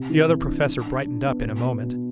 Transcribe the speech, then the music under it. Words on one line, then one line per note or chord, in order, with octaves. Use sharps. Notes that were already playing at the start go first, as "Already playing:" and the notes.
The Other Professor brightened up in a moment.
Already playing: C3
E3
C3
D4
D4
D4
D4
B3
B2
B3
B2